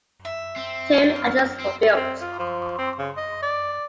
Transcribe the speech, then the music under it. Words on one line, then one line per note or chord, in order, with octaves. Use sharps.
Two "Atlant"s were built.
E5
C4
F4
C4
C4
F4
F3
C4
C#3
D#5
D5